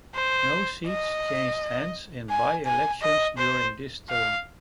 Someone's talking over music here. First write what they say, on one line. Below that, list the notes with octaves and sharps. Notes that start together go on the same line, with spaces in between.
No seats changed hands in byelections during this term.
C5
D#5
G#5
G#5
D#5
C5
F5